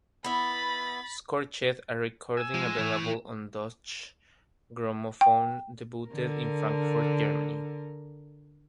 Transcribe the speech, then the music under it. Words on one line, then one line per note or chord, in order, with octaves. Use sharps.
"Scorched", a recording available on Deutsche Grammophon, debuted in Frankfurt, Germany.
B3 E4 B5 A6
G#5 E6
F3 G#3
E3 E4 C#5
G5
D3 A#4